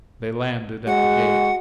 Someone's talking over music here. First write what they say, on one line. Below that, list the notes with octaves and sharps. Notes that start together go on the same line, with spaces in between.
They landed at the gate.
G#3 F#4 F#5